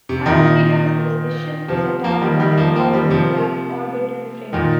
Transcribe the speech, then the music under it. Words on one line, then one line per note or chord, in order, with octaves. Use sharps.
As he does this, the ship is attacked by a powerful black Orbital Frame.
C3
A#2 D#3
C3 F3
F3 A#3
D#3 G3
D#3 G3
F3 A#3
F3 A#3
D#3 G3
C3 F3
A#2 D#3